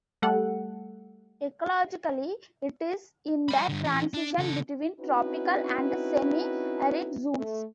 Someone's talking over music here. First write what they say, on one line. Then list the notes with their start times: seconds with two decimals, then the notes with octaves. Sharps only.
Ecologically, it is in the transition between tropical and semi-arid zones.
0.22 G3 A3 A4 F#5
3.49 D5 B5
3.69 G2 D3
3.84 E3 C#4
4.14 D4
4.39 C#3 A4
5.00 C4 C#4 D#4 E4 F#4 B4
7.37 A3